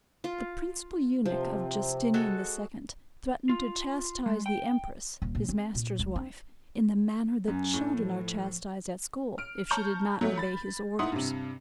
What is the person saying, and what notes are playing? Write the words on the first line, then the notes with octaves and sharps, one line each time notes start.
The principal eunuch of Justinian the Second, threatened to chastise the Empress, his master's wife, in the manner that children are chastised at school, if she did not obey his orders.
F4
C3 F3
G#3 F#4 A4
F4
G#3
G5
D#1
A#2
C4
A#2
C#2
C4
F#2 C#4
A2 A3
F3
F6 D7
A5 A#5 C#6 F6 G6
F#3 A3
B5 A6
D#4 E4 F#5 C6 D#6
G2 C3